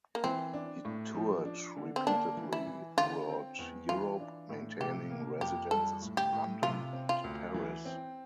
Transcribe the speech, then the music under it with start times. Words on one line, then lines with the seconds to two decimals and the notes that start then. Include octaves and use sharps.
He toured repeatedly throughout Europe, maintaining residences in London and Paris.
0.15 A#3
0.24 E3 C4
0.53 D4
0.85 A2
1.14 F3
1.45 D4
1.76 D3
1.96 C4
2.07 A#3 D4
2.37 E3
2.53 E4
2.67 E3
2.97 D3 F4
3.28 C4
3.59 E2
3.89 E3 F4
4.20 D4
4.49 A2
4.80 C3 G4
5.10 A#3
5.41 F2 G4
5.71 G3 A4
6.02 A2
6.17 G4
6.32 A2
6.62 C3 F4
6.93 C4
7.09 F4
7.24 D2
7.54 E3
7.85 C4